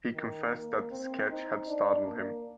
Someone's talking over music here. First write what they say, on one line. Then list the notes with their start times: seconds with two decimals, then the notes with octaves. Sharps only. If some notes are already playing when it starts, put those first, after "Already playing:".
He confessed that the sketch had startled him.
0.13 D#3
0.51 A#3
0.91 C4
1.29 D#4
1.68 D4
2.07 A#3